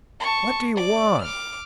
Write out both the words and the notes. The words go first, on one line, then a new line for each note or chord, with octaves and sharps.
"What do you want?"
A5 C#6
D5 D6
D6 F6